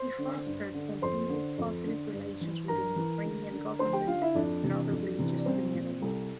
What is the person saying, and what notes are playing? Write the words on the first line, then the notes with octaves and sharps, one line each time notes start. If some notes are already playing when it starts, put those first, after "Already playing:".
He fostered continued positive relations with the Ukrainian government and other religious communities.
Already playing: C5 C6
D3
G2
D3
F2 C5 C6
D3
F2
D3
G2
E3
G2 A#4 A#5
E3
D2
D3
D2 C5 C6
G4 G5
D3 F4 F5
E4 E5
F2 D4 D5
C3 E3
F2
C3 E3
D5
C2 C4 C5
A#2
C2 A4